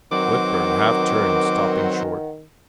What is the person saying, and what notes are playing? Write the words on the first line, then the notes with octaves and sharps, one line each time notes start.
Whitburn half-turned, stopping short.
D#3 F#3 B3 C4 A#4 F#5 D6